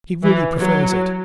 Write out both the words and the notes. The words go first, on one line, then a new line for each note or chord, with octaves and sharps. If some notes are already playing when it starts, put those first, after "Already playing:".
He really prefers it.
E3
F#3